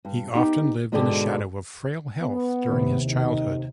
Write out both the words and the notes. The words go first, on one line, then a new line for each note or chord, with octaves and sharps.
He often lived in the shadow of frail health during his childhood.
G2
B3 D#4 G4
G#2 B2 D3 G#3 B3 G4
B3
D#2 C3
D#3 D#4